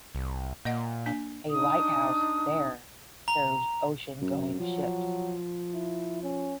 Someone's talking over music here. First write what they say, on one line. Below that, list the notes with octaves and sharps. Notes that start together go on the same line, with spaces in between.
A lighthouse there serves oceangoing ships.
C2
A#2 A#3 D#5 F#5
A#3 D4 G#5
D4 D#4 D#6
A#5
F#2
F3 F#3
E4
C#4